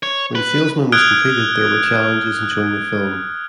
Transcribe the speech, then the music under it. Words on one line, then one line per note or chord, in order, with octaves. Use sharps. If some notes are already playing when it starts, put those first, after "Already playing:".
When "Salesman" was completed, there were challenges in showing the film.
C#5
B4
D#6 F6 F#6 G#6 D7 G7